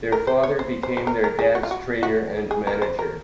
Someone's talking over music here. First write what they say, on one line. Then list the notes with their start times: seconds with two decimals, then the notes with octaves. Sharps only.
Their father became their dance trainer and manager.
0.12 A#4
0.27 C5
0.43 C#5
0.59 C5
0.83 C5
0.97 C5
1.07 A#4
1.24 A#4
1.39 G#4
1.55 F#4
1.63 F4
1.71 F#4
2.03 F#4
2.51 G#4
2.67 A#4
2.82 C5
2.99 A#4